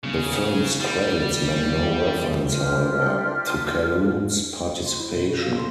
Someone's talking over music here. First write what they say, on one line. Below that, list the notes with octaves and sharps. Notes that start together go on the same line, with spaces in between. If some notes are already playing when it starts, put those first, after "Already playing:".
The film's credits make no reference, however, to Calhoun's participation.
C#3
G3
D4 F4 G4 F6
C6
E4
B2
F#4
F5
C6